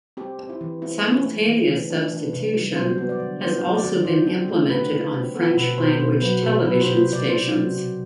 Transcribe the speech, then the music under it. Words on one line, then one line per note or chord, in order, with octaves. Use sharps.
Simultaneous substitution has also been implemented on French language television stations.
C4 G4
C4
E4
E3
C4 E4
A3
A3
E3
E3
D4
E3 E4
C3
G3
F#3 C5
B3
D5
D3
B3 C5
F#3
D5
D3
D3 C5
C4
A3
D3 B4
D3
C4
B3 A4
B2 B4
B2 C5
B2 C5
F#3 B4
B2 A4
F#3 B4
C5
C3
C5
C3 D5
C4 C5
F#3
C3